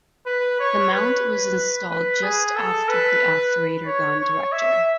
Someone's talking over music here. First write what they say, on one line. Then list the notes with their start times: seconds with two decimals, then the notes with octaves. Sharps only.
The mount was installed just aft of the aft radar gun director.
0.26 B4
0.60 C#5
0.92 B4
1.90 B4
2.23 G#4
2.56 A4
2.88 B4
3.86 C#5
4.20 C#5
4.52 E5